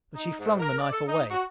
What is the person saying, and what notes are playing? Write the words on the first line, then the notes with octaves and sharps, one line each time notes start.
But she flung the knife away.
D#4
G#2
A#4
D5
A4
D#4
F#4